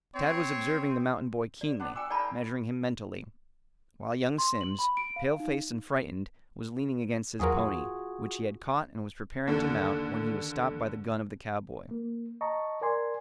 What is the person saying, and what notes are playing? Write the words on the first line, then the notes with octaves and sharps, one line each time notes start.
Tad was observing the mountain boy keenly, measuring him mentally, while young Simms, pale-faced and frightened, was leaning against his pony, which he had caught and was preparing to mount when he was stopped by the gun of the cowboy.
C4 C#5
D5
B3 D4
G5 G#5 D6 E6
D#4 G#4 A#4 D5 A5 B5
C6
F#7
B5
D7
F5
D#4
E2 F#3 F4 F#4 G#4 A#4
D#2 D3
A#3
D#5 A5 A#5 C#6
A#4 D5 G#5 C6